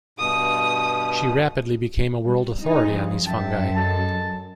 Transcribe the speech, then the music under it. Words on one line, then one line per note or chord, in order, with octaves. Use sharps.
She rapidly became a world authority on these fungi.
G2 B2 D#6
G3
G2 A#2 C#3 D#4
F3
F#2 E5 G5 A5
G#3 A4 A5